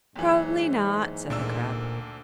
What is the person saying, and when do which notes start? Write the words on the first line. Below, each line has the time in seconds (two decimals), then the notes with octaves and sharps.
"Probably not," said the crab.
0.16 F#1 G#2 E3
1.30 D2 A#2 D4 E6